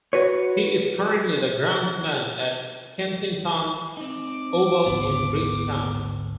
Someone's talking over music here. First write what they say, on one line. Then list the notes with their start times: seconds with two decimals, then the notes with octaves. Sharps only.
He is currently the groundsman at Kensington Oval in Bridgetown.
0.13 F#4 B4 C#5
3.97 C4 D#4 D6
4.86 G#1 D2 B3